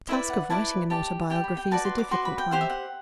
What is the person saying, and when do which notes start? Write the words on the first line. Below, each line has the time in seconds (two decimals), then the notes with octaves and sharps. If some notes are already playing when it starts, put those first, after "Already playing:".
The task of writing an autobiography is a difficult one.
0.09 E4 B4 D5 E5
0.30 F#5
0.50 E4 B4 D5 A5
0.90 G4 D5 A5
1.30 G4 D5 G5
1.44 B5
1.57 G5
1.71 F#4 B4 D5 A5
1.85 C6
1.98 D6
2.11 F#4 B4 D5 C6
2.25 B5
2.38 G5
2.51 G4 C5 F#5
2.61 E5
2.69 F#5